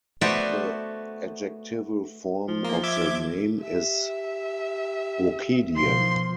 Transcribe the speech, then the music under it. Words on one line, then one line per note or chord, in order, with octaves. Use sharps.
The adjectival form of the name is Baucidian.
A3 B3 F#4 B4 C5 D5
F3
A#3
E5 D6 G#6
G4 E5
B2 D#3 F3 C6